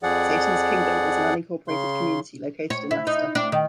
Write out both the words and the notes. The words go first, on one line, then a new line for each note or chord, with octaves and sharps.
Satans Kingdom is an unincorporated community located in Leicester.
F2 F3 G#4 D5 F#5
C#3 C6
C#5
E4
D#4
D4
D#3